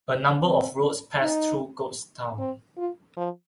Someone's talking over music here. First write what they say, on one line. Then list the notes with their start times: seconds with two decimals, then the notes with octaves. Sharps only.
A number of roads pass through Goatstown.
0.44 C4
1.22 D#4
2.39 C4
2.77 F4
3.17 F3